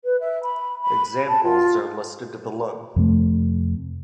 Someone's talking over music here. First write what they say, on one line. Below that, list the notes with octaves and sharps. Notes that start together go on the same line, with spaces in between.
Examples are listed below.
B4
E5
B5
B5
A5
F4
F2 C3 A3